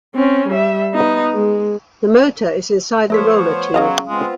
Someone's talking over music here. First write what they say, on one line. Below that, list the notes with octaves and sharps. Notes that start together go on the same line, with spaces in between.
The motor is inside the roller tube.
C4 C#4
G3 E5
B3 D#4
G#3
F3 A3 B3 A4 C5 C#5 B6
C#3 F#3 D#5 F5
G#3 B3 C4 F4